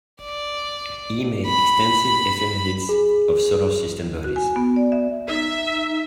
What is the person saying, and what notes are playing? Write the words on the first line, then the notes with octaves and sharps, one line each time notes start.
He made extensive ephemerides of solar system bodies.
D5
B5
G#4
F#4
G#5
B3
D5
E5
D#4 E5